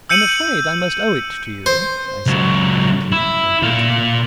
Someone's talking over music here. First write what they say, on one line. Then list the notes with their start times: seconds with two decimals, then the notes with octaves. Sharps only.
"I'm afraid I must owe it to you," I said lightly and brutally.
0.09 E6 G6 C#7 D#7 F#7
1.66 C5
2.26 C#2 F#3
3.12 E4
3.63 A#2 F5